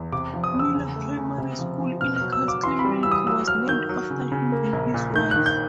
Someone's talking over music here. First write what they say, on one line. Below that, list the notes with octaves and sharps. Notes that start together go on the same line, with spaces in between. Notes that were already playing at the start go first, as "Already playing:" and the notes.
Miller Primary School in Castlemilk was named after him and his wife.
Already playing: E2
C3 D6
F3
D#6
E2
E6
C#3
A3
C#3
C3
F3
F3
B2 F6
F6
F#3
E6
F#3
D6
E3 C6
B5
G3
E3 E6
D#6
F#3 E6
F#3 F6
D#3 G6
F#3
C#3
C#3
A#3
A#1
A#2
D#3 G6
D#3 F#6
G6